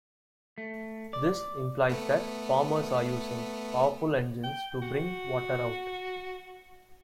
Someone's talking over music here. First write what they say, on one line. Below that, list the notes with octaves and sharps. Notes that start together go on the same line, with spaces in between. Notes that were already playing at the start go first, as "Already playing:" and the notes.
This implies that farmers are using powerful engines to bring water out.
A3
D5
A3 B3
G5
F#4